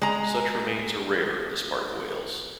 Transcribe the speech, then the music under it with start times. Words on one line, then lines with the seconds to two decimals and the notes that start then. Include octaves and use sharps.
Such remains are rare in this part of Wales.
0.01 G#3 A#5